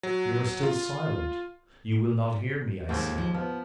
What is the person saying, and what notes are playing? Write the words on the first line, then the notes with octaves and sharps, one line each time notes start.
You are still silent? You will not hear me, I see....
F#3
F4
D#2 G#2 A#3 C4
F3
F3 B3